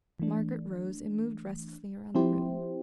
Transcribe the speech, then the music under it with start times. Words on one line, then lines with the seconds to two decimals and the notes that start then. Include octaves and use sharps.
Margaret rose, and moved restlessly around the room.
0.19 E3 A3 D4
2.15 F3 C4 E4 G4 C5